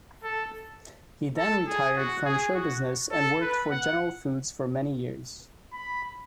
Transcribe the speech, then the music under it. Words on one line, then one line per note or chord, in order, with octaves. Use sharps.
He then retired from show-business and worked for General Foods for many years.
A4
A4
G#4
F#4
G#4
F#4
A4
B4
F#5
B5